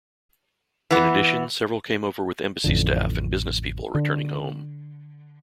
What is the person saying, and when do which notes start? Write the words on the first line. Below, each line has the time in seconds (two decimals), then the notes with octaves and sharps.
In addition, several came over with embassy staff and business people returning home.
0.91 E3 B3
2.64 A1 F2 D3
3.95 D3